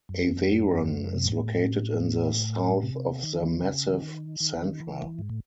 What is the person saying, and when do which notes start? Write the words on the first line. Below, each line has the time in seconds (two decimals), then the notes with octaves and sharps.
Aveyron is located in the south of the Massif Central.
0.09 F#2
1.14 C3
1.26 A2
2.83 C3
3.22 D#3
3.43 E3
3.52 D#3
3.61 C#3
3.90 E3
4.01 D#3
4.40 D#3
4.53 E3
4.66 D#3
4.80 E3
5.19 G#2
5.30 A2